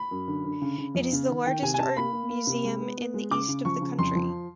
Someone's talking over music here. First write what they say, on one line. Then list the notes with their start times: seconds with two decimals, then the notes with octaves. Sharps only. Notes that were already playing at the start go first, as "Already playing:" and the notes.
It is the largest art museum in the east of the country.
Already playing: B5
0.11 F#2
0.28 D3
0.45 D3
0.62 C#3
0.78 C#3
0.95 F2
1.12 C#3
1.29 D#3
1.46 D#3 G5
1.62 C3 G#5
1.74 G#5
1.79 C3 A5
1.96 A#3 B5
2.13 A#3
2.30 A#3
2.47 C3
2.64 G#3
2.80 B3
2.98 B3
3.14 G#3
3.31 C#3 D6
3.48 C#3
3.65 F3 C#6
3.82 C#3
3.99 F2 C6
4.15 F3